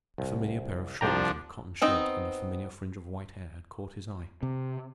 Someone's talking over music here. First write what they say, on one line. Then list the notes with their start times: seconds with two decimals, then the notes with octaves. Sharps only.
A familiar pair of shoulders in a cotton shirt and a familiar fringe of white hair had caught his eye.
0.18 C2
1.01 C2 F3 D4 G5 A#5
1.82 B3 C4 D#4
4.43 C3